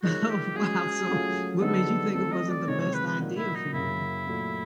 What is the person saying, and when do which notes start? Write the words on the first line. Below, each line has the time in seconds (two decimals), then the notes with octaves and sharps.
Oh, wow, so, what made you think it wasn't the best idea for you?
0.03 F3 A#3 D#4 F#4 G#4 C#5
0.30 G4
0.55 G#3 C#4 F#4 G#4
1.09 F#3 A3 C#4 F4
1.61 D3 F#3 B3 D#4 G#4 A4
2.14 F3 A3 C4 A4
2.32 D#5
2.50 D5
2.67 C3 D#3 G#3 C4 C#5
2.81 C#5
2.94 B4
3.06 B4
3.19 A#2 F#3 A#3 D#4 F#4
3.38 E4
3.55 D#4
3.73 F#2 C#3 F#3 A#3 E4
4.26 A#2 F#3 A3